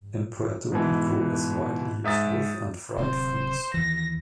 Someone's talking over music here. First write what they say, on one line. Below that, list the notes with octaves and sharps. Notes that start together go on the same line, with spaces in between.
In Puerto Rico, is widely used with and fried foods.
G#2 B2 E3
G#2 E5 D#6 A6
D1 C3 C4 C5
D#2 E3 A#6